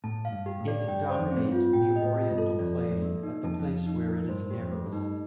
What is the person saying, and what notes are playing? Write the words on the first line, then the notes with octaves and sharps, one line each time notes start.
It dominate the oriental plain at the place where it is narrowest.
A2 A5
F5
G2
G4
A2
D5
G2 G5
C5
F2
A2 C4
G2
F4
A2 G5
D#5
A2
F4
G2
A4
F2 D5
A4
F2
A#3
D#4
F2 A5
F2
F5
D#4
A#4
G2 C5
G4
F2
A3
G2
D#4